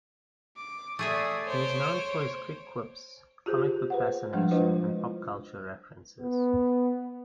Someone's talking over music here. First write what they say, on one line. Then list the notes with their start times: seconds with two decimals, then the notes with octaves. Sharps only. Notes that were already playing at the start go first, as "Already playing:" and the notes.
He is known for his quick quips, comic book fascination, and pop-culture references.
0.57 D6
0.99 A3 G#4 D5 E5 D#6
1.47 C5 C#5 D7
3.46 F4 G4 G#4 C5
3.90 B4 C5 F#5
4.33 F3 G3 G#3 D4
4.51 D4 E4 F4 B4 C5 D#5
6.20 B3